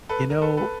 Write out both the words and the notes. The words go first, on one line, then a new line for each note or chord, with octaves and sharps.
You know,
A4 B4
A#4
A4 B4
A4 B4